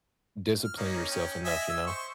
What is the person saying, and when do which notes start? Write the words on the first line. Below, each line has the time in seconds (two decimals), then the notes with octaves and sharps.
discipline yourself enough, you know?
0.64 F6
0.78 A#3 C#4 D#4
1.11 C#4 G5
1.45 D#5 E5 G#5
1.70 E6
1.87 C5 C#6